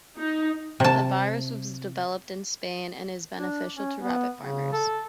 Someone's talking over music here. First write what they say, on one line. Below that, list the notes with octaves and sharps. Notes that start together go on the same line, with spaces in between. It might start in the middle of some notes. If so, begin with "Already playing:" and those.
The virus was developed in Spain, and is beneficial to rabbit farmers.
D#4
C3 A5
D4
C#4
B3
C#3
A4